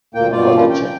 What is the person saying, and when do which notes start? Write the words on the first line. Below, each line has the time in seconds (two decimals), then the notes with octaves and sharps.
How about that check?
0.14 D2 A#2 A#3 G5
0.32 G2 B2 F4 D5
0.56 E3 G3 A#3 C#4 D4 F4
0.70 C#4 G5
0.84 G5